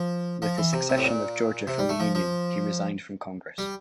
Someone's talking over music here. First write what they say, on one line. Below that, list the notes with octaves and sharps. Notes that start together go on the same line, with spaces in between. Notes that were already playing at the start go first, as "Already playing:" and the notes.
With the secession of Georgia from the Union, he resigned from Congress.
Already playing: F3
F3
E3
C3
C3
A2
A#2
C3
G3
A3
F3
F3
G3